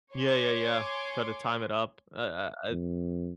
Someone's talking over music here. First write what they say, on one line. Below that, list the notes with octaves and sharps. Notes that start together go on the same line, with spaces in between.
Yeah, yeah, yeah. Try to time it up. Ah ah ah,
C#5 G#5 C6 D6
F2